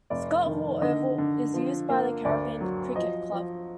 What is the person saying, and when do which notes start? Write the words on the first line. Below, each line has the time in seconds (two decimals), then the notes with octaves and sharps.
Scott Hall Oval is used by the Caribbean Cricket Club.
0.10 F1 D5
0.46 D#3
0.82 D3 D#5
1.18 D3
1.54 F3
1.89 A#3
2.25 D2 D5
2.61 F#3
2.96 F3 D#5
3.32 F3